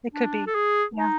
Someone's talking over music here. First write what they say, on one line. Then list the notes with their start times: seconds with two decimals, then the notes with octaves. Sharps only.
It could be, yeah.
0.13 D4
0.47 A4
0.55 G#4
0.96 D#4